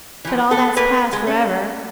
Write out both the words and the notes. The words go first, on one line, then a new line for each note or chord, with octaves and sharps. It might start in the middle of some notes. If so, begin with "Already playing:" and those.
But all that's past for ever.
E3 F3
B3 A4
A#3 A#4 B4
G#3
C#4